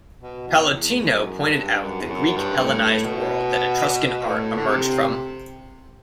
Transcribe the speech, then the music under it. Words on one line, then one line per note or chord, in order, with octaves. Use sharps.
Pallottino pointed out the Greek Hellenized world that Etruscan art emerged from.
B2
E2
E2
F#2
G2
F#2
E2
F#2
G2
G2
A2
B2
A2
D3
C3